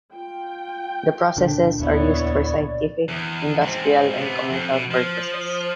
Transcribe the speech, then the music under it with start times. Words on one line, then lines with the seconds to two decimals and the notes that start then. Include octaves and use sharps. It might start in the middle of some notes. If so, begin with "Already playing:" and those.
The processes are used for scientific, industrial and commercial purposes.
0.13 F4 G5
1.37 C#2 A#2 D3 D4
1.80 D#2 B3 E4 C#5 D5
3.08 E2
3.61 G#2 C4
4.16 C3 B3
4.50 F2
4.71 B2
4.91 F3